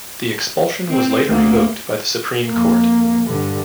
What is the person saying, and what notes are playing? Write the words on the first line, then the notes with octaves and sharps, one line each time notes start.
The expulsion was later revoked by the Supreme Court.
C4
D2 A#3
F2 A#3
G2 D3